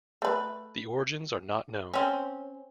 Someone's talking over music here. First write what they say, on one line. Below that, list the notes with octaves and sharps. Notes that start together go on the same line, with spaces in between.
The origins are not known.
A3 B4
C4 C#4